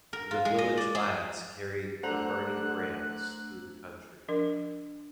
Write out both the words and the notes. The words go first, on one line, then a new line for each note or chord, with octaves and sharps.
The village lads carried the burning brands through the country.
A#4
F4
G#3
D#5
D5
G#4
D3 A3 D4 C5 F#5 A#5 E6 F#6
F3 D4 A#4